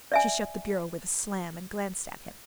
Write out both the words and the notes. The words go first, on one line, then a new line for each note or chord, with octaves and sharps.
She shut the bureau with a slam, and glanced at him.
D5 E5 G#5